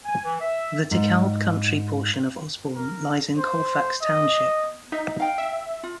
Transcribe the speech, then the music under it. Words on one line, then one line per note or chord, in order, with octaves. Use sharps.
The DeKalb Country portion of Osborn lies in Colfax Township.
G#5
E3
E5
G#2
A#4
C5
D#5
D#4 E5
F5 G5
E5
F4